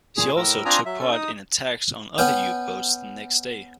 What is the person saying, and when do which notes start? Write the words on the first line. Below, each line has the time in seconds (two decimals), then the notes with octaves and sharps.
She also took part in attacks on other U-boats the next day.
0.17 A#2 G#4
0.36 A2 A#4 E6
0.65 C4 D4 F4 G#5 A#5 D#6
0.86 F#3 E5
0.99 C#4 A4
1.11 D#4 D#6
2.18 B3 C#4 G5